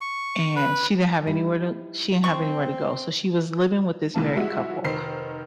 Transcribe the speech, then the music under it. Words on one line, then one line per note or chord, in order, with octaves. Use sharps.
and she didn't have anywhere to she didn't have anywhere to go. So, she was living with this married couple
C#6
B4
G3 D#4 E4
C4 C#6
C2 E3 A#3 A5
F3 G3 G#3 E4 F#4
F1 D#3 C5 C7